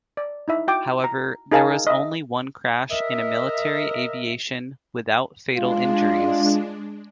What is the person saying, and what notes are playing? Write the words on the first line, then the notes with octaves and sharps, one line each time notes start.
However, there was only one crash in a military aviation, without fatal injuries.
D5
D#4 E4 E5
F#4 G5 D6
A#5
D#4 G#4 A#4 F5 G#5 A5
D#5 E5
A#4 D#5 E5
G#3 D4 F4